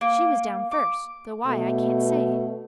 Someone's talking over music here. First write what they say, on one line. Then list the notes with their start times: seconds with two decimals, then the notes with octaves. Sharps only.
She was down first, though why, I can't say.
0.01 A#3
0.71 D6
1.46 B2 A3